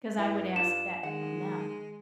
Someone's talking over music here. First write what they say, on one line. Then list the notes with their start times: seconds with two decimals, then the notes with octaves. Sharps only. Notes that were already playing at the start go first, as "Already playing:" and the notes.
'Cause I would ask that from them.
0.19 G2 E4
0.56 D4 F4 E7
1.03 D#3 G#3 F#5